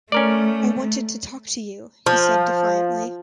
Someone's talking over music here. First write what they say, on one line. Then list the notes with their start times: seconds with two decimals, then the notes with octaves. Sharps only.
"I wanted to talk to you," he said defiantly.
0.12 A3 C#4 A#4 D5
2.06 F3